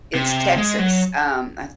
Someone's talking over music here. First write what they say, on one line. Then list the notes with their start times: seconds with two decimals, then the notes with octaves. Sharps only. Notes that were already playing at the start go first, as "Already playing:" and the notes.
It's Texas, um, I th
0.15 C3
0.58 G#3
0.79 F#3